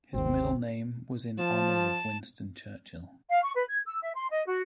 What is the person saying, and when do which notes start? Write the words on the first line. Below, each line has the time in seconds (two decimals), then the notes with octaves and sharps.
His middle name was in honour of Winston Churchill.
0.14 G#1 D#2 C4
1.38 F3 A5
3.29 F5
3.43 C#6
3.56 B4
3.67 G#6
3.86 E6
4.01 E5
4.15 C6
4.31 D#5
4.46 F#4